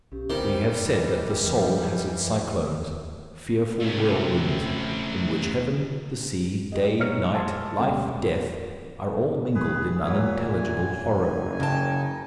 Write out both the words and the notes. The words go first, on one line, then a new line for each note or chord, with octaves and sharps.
We have said that the soul has its cyclones--fearful whirlwinds, in which heaven, the sea, day, night, life, death, are all mingled in unintelligible horror.
B1 C#4 G4
D2 D#3 E3 G3 C4 C5
D#2 D#5
E2 F3
A3 C#4
C3
G4 D#5
E1 G#3 D#4 C#5 F6 C#7
G#5 A5 C6 E6
E1 D2 G3 A3 C#4 G5
G#4 B4
A#2 E3 F#3 G#5
F#1
C#3 D#4 G5 A5